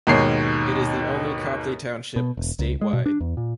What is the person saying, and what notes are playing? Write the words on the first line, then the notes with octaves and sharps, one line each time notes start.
It is the only Copley Township statewide.
D#2 G#2 B2 C#5 C7
B2
E1
C#2
G#3
B2
D4
E2
A#2